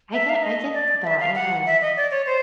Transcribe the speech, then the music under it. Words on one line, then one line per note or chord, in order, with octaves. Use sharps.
I get I get that. Yeah.
E5
F5
E5
D#5
D5
E5
F5
F#5
E5
D#5
D5
C#5
C5